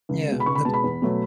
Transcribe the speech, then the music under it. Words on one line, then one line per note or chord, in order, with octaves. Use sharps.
Yeah. The b
C#2
B2 G#3
B5
C#2 C#6
B5
B2 G#3 A5
B5
E2
B2 F#3 A3